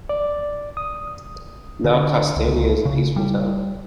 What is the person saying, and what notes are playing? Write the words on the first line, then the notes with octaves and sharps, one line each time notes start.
Now Kastania is a peaceful town.
D5
D#6
D3
C#2
C#3
G3